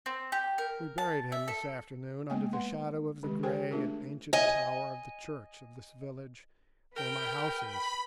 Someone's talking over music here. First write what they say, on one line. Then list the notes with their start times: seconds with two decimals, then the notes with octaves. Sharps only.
'We buried him this afternoon under the shadow of the grey and ancient tower of the church of this village where my house is.
0.06 C4
0.32 G4
0.58 A#4
0.98 A5
1.32 E5
1.48 A4
2.30 G#3 A#3 B3 G5 G#5
2.53 B4 F#5 C6
3.23 D#3 G#3 G4
3.43 G4 A#4 C5 G5 G#5
3.71 A3 D4 F4 G#4 A#4
4.33 D#5 G#5
6.96 A#4 B4 G5
7.65 B5